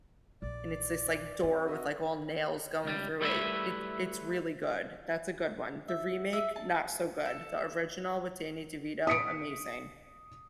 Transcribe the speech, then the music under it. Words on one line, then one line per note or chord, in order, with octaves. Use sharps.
and it's this, like, door with, like, all nails going through it. It it's really good, that's a good one. The remake, not so good; he original with Danny DeVito, amazing.
A#1 D5
C4
F#4 D#5 E5
C#2 G3
G3 A3 E4 F#4 B4 E5
E5
E5
A5
A4
D#6 B6 C#7 D7